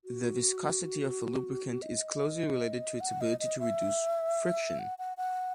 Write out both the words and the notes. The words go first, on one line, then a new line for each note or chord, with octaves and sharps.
The viscosity of a lubricant is closely related to its ability to reduce friction.
F#4
D#5
F#5
D#5
D#5
E5
F#5
F#5
F#5